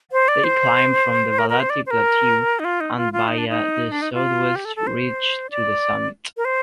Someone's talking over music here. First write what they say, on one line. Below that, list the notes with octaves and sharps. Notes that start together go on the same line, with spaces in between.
They climbed from the Balati plateau and via the southwest ridge to the summit.
C5
D5
C5
A#4
A#4
C5
D5
C5
A#4
D#4
F4
D#4
F4
F4
D#4
D4
D#4
D4
D#4
F4
G4
A4
A4
C5
D5
A#4
C5